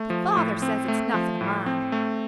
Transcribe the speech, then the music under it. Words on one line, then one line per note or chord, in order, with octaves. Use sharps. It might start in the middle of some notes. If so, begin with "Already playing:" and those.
But father says it's nothing to mind.
Already playing: A3
F3
A2
C4
A3
F3
A2
C4
A3